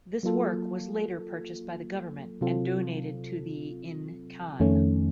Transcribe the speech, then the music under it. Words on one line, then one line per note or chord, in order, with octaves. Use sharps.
This work was later purchased by the government and donated to the in Cannes.
F#3 A#3 F4 A4
C3 F#3 C4 F4 A4
F2 D#3 A3 C#4